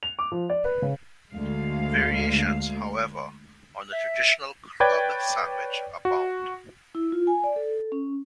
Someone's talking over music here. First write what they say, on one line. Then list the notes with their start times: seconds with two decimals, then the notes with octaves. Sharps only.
Variations, however, on the traditional club sandwich abound.
0.03 F7
0.19 D6
0.32 F3
0.49 D5
0.64 B4
0.82 C#3
1.34 D2 G#3 F5
3.92 E5
4.80 B4 C#5 D5 G5 G#6 A6
6.05 F#4
6.95 E4
7.12 F4
7.27 G#5
7.44 D5
7.56 A4
7.92 C#4